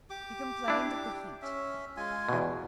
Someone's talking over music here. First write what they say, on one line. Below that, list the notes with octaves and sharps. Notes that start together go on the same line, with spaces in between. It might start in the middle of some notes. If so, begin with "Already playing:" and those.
He complained of the heat.
G4 D6
D4 E4
C#4 E5
G#3 F4 G#5
E2 B2